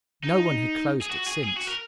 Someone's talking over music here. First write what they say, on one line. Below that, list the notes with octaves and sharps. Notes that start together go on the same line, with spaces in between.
No one had closed it since.
D#4
G#4
F#4
G#4
G#4
F#4
A#4